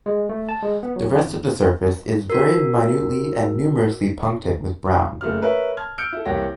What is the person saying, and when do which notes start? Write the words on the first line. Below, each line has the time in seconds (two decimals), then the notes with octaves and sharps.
The rest of the surface is very minutely and numerously punctate with brown.
0.06 G#3
0.29 A3
0.49 A5
0.62 G#3
0.83 B3
0.96 F#3
1.24 G#1
2.30 F#4 A#4
5.21 F#1 A3 A#3 F6
5.42 A#4 B4 C#5 E5
5.77 A5 F6 G#6
5.98 E6 F6 G6 C#7 D7
6.12 E4 A4
6.25 C2 E3 A#3 G4 C#5 A#6